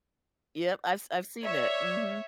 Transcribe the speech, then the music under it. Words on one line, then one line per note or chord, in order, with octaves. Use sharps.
Yep, I've I've seen that, mhm.
C#5 D5 E5